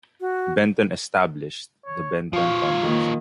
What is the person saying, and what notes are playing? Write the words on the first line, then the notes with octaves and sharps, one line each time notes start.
Benton established the Benton Foundation.
F#4
C#5
F3 F4 C#5 F5
D#3 A#3